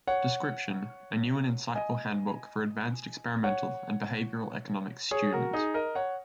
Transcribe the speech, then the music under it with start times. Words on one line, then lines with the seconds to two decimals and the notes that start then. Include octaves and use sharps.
Description: A new and insightful handbook for advanced experimental and behavioral economics students.
0.07 C#5 F#5
1.75 D#5 G#5
3.44 C#5 F#5
5.11 G#4 C#5
5.33 F#4 A#4
5.53 D#4 G#4
5.74 A#4 D#5
5.95 C#5 F#5